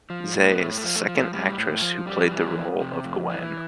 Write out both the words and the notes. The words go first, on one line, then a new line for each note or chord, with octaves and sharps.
Zea is the second actress who played the role of Gwen.
F3
A2
B3
A2 A3
A3
F3
A3
F3
A3
A2 G3
A2
F3
F2 G3
E3
F2
C3
F2
E3